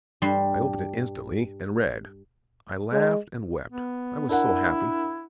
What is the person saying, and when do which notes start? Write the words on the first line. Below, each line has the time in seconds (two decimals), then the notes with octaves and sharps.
I opened it instantly and read: I laughed and wept. I was so happy.
0.22 G2 G3 C6
2.92 G#3
3.72 B3
4.29 D4 E4 A#4 F#5